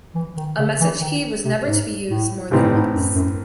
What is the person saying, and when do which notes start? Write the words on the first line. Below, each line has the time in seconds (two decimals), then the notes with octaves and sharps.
A message key was never to be used more than once.
0.15 E3
0.37 D#3
0.59 C#3
0.81 E3
1.01 D#3
1.45 C3
1.66 G#2
2.09 A2
2.51 A1 A2 C3 E3 C4
2.74 G#2
2.95 F#2
3.16 F#2